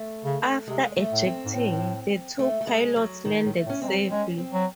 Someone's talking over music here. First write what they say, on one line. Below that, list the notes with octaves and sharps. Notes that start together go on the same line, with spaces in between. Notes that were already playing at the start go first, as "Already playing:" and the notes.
After ejecting, the two pilots landed safely.
Already playing: A3
C#3
C3 G#3
A3
A2
C4
G#2
A2
A3
A3
G#3
F#3
A2 D#3
A2
A3
A2
C#4
G#3 C4
F#3
G#3 C#4
C4
F#3